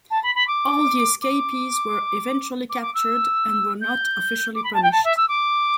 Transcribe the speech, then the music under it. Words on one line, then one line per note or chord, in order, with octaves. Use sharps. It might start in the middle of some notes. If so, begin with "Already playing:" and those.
All the escapees were eventually captured and were not officially punished.
A5
B5
B5
D6
D6
D6
D6
E6
G6
D6
B5
A5
G5
A5
E5
E6
D6